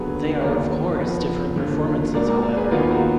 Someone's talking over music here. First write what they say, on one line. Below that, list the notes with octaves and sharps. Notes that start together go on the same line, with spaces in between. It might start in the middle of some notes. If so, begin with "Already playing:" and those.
They are of course different performances however.
Already playing: D#2 D3 F#3 B3 G#4 B4
D#2 D#3 F#3 B3 A#4 D5
F2 F3 B3
D#2 D3 F3
G#2 F#3 A#3 A#4 D5
A#4 D5
A#4 D5
G#4 B4
D#2 D#3 F#3 B3 F4 G#4
F#4 A#4